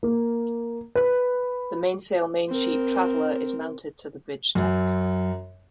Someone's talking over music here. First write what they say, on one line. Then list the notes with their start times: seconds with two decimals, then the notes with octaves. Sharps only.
The mainsail mainsheet traveler is mounted to the bridge deck.
0.03 A#3
0.95 B4
2.48 C4 A#4
4.55 F#2